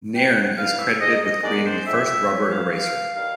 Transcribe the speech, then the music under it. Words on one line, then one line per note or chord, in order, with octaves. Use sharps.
Nairne is credited with creating the first rubber eraser.
C3 G5
F#5
E3 G3 F5
E5
G#2 D#5
D#5
D#3 G#3 B3 D4 D5
C5
F2 E5
E5
C#3 F#3 A3 C#4 E5
F5
G2 F5
D#3 G3 F5